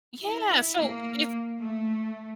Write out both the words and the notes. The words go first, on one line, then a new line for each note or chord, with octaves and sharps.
Yeah. So if
E4
A#3
A3